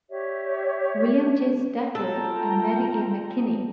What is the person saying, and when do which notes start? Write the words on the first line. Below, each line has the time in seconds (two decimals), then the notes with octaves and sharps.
William J. Statler and Mary A. McKinney.
0.10 G4 C#5 D5 E5
1.95 F4 A4 G5 A#5